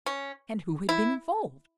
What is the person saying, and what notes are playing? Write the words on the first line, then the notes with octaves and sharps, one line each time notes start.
And who had been involved?
C#4
E4